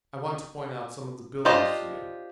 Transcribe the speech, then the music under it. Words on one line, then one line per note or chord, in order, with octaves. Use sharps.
"I want to point out some of the buildings to you."
D4 F4 G4 C5 D#5